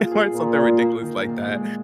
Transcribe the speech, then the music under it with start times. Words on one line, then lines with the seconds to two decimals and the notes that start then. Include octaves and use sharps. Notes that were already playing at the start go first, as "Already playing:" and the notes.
or something ridiculous like that,
Already playing: A#3 F4 G#4
0.12 G#4
0.34 A#2 A#3
0.57 F4
0.79 A#3
1.02 D#3
1.25 A#2
1.48 G#3